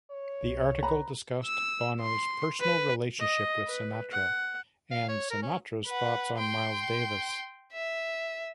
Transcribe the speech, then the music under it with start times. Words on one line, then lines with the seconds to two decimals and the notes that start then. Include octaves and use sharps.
The article discussed Bono's personal relationship with Sinatra, and Sinatra's thoughts on Miles Davis.
0.11 C#5
0.43 C2
0.83 B4 A#5 B5
1.45 E6
2.01 C6
2.61 B4
3.20 D#5
3.67 B4
4.12 F#5
4.91 F5
5.08 C#5
5.30 A#4
5.43 C#4
5.86 B4 F#5
6.37 G5 C6
7.73 E5